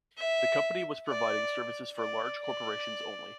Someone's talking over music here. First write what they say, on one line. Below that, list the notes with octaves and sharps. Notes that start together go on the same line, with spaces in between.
The company was providing services for large corporations only.
E5
D5
D5
D5